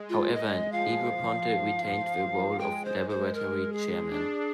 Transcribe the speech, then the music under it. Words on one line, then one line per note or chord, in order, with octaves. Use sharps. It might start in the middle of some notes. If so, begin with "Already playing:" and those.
However, Negroponte retained the role of laboratory Chairman.
Already playing: G#3
F4
G#3 D#5
F3 F5
G#3 G5
C5
C5
A#4
G#4
D4